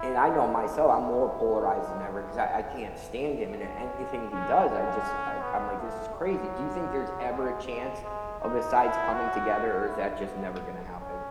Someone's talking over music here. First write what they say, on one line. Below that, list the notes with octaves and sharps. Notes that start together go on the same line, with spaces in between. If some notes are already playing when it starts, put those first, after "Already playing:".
and I know myself, I'm more polarized than ever because I I can't stand him, and anything he does, I just, I I'm like, "This is crazy." Do you think there's ever a chance, of the sides coming together, or is that just never gonna happen?
Already playing: E4
D#4
E4
D#4
E3
C#3
E3
A3
C#4
C#4
C#4
B3
A3
F#3
G#3
G#3
G#3
D#4
E4
F#4
E4
B3
C#4